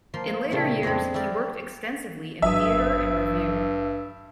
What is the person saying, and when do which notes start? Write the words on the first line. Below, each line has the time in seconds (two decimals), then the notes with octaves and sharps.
In later years he worked extensively in theatre and revue.
0.14 F3 A#3 C6
0.51 A#2 C#3 G3 A3
0.83 F2 C4 D4 D#5 B5
1.14 E4 G4 A#4 D5
2.42 G#1 G2 F#3 E5 D#6